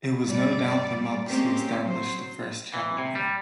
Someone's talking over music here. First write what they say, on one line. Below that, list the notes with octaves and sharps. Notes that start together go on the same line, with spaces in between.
It was no doubt the monks who established the first chapel here.
G2 G3 D5
G#3 A#3 C4 C#4 G4
F#3 C5
E3
C3
G3